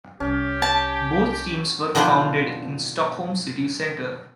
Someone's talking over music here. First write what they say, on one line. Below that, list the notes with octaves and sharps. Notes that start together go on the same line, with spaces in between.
Both teams were founded in Stockholm City Centre.
C2 C#4 G4
A5
B2 D#3 F3 D4 B4 C5